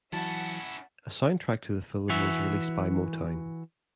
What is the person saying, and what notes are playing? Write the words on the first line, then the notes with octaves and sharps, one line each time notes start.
A soundtrack to the film was released by Motown.
E3 F#3 C#4 E4 E5 F#5 A5
E3 F#4 E5